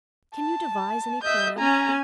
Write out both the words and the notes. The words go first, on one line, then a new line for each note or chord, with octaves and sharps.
Can you devise any plan?
A5
D#5 E5 G6
C#4 G#5 A#5